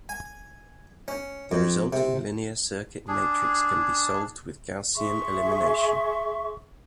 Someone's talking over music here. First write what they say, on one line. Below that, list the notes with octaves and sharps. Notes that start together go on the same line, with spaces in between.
The resulting linear circuit matrix can be solved with Gaussian elimination.
G#5
C#4
F2
C3
D4 G#4
G#4 E5 C6 C#6